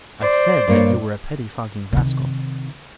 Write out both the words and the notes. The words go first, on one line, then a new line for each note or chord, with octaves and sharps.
I said that you were a pettifogging rascal.
C5 D5
G2 A#3 C#5
C3 D#3